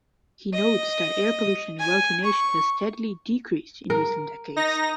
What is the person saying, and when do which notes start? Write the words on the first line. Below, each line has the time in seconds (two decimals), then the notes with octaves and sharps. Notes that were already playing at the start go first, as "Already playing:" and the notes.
He notes that air pollution in wealthy nations has steadily decreased in recent decades.
0.54 D#5
1.80 G#5
2.24 C#6
3.90 A#4
4.56 D#4 A#6